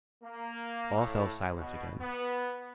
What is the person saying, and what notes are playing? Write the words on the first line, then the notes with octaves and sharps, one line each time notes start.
All fell silent again.
A#3
A2
B2
B3